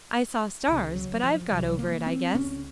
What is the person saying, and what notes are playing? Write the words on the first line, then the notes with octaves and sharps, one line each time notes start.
I saw stars, but I've got over it, I guess.
C#2 C#3
F#3
F3
C2 C3 F#3
A#3
C4
C#2 C#3 C#4